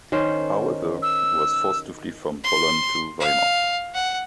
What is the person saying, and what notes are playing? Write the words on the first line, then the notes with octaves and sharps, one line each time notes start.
However, he was forced to flee from Poland to Weimar.
D#3 C#4 C5
E6
C6
F5
F#5